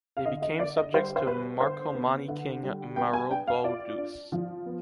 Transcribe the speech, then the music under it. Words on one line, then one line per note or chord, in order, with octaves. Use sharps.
They became subjects to Marcomanni king Maroboduus.
F5
D3 D#5
D#5
D3 D5
D#5
G3 C5
C5
B3 B4
D3 C5
B3
D3
G3
B3 G5
G#5
D4 G5
F5
F4 D5
D4
F3
B3